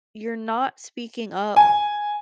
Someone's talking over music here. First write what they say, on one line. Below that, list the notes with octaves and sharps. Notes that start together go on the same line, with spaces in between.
you're not speaking up
G#5